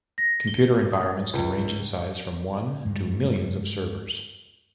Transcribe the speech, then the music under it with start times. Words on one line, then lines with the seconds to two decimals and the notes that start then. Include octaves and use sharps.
Computer environments can range in size from one to millions of servers.
0.18 A#6
0.47 G7
0.92 D#6
1.33 C#2
2.85 G2 G#3